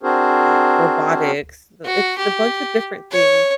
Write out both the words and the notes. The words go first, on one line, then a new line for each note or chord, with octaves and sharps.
uh, robotics. Th It's a bunch of different things,
C4 D4 F#4 G#4 A#4 C5
F#4
G4
C#5